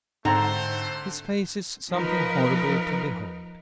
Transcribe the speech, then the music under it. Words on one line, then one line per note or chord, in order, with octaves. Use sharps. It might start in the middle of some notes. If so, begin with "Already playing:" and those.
His face is something horrible to behold.
G#2 D3 A3 C4 C5 F#5 A#5 A6
F3 D#4 A#4 B4